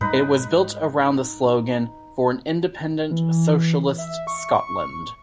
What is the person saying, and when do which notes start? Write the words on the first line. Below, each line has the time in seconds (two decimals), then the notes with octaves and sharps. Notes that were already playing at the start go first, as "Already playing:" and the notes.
It was built around the slogan "for an independent socialist Scotland".
0.01 G#2 G3 G#3 D#4 B4
3.10 E3
3.98 E5
4.27 C#6